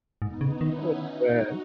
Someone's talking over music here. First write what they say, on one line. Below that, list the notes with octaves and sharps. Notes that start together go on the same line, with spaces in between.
Oh, man.
G#2 B3 D#4
C#3
D#3 C#4 E4
D#4 F#4